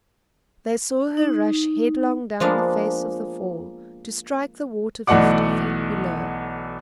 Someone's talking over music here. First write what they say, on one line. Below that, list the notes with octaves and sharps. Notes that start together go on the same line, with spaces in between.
They saw her rush headlong down the face of the fall to strike the water fifty feet below.
D#4
F3 G#3 A#3 B3 D4
B1 E3 A3 D5 F#5 D6